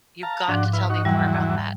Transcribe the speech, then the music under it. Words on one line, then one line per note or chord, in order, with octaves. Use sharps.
You've got to tell me more about that.
F5 A5 A#5
G#2 F3 D4 F#4
E4 B4 F5
D#4 F#4 C#6
E2 E3 F#3 G3